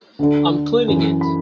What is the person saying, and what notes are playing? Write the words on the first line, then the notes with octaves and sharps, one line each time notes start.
I'm cleaning it.
D2 D3
F#2 E3
B5